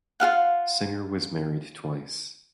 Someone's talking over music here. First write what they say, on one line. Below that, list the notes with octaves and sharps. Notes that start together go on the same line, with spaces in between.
Singer was married twice.
F4 F#4 F5 F#5